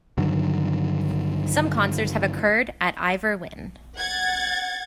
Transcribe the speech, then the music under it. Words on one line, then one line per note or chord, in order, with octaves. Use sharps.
Some concerts have occurred at Ivor Wynne.
G2 D3 D#3 F#3
F#5 G#6 A6